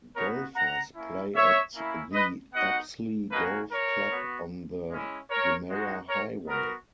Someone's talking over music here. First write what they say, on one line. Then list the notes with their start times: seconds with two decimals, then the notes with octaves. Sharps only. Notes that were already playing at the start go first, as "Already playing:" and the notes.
Golfers play at the Apsley Golf Club on the Wimmera Highway.
0.16 B3 D#4 F#4 A#4 C#5
0.55 F#5 A#5
0.94 A#3 C#4 E4
1.35 C#5 E5
1.74 A#3 C#4 E4
2.13 B4 D#5
2.53 B3 D#4 F#4 D#5 F#5
3.32 A#3 C#4 F#4 B4 D#5
3.71 A#4 C#5
4.11 B3 F#4
4.89 G#3 C#4 E4
5.30 A#4 C#5
5.70 G#3 D#4 F#4
6.09 A#4 C#5
6.48 B3 F#4 A#4